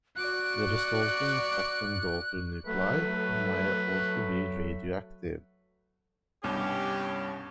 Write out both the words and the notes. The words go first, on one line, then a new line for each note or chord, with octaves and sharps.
The resulting second daughter nuclide may also be radioactive.
F#4 D5 F#6
F#3 A3 B4
C2 G2 B2 C#4 G4